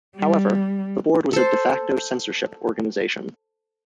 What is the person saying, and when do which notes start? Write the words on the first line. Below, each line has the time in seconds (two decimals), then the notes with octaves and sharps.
However, the Board was a "de facto" censorship organization.
0.17 G3
1.33 A4 C5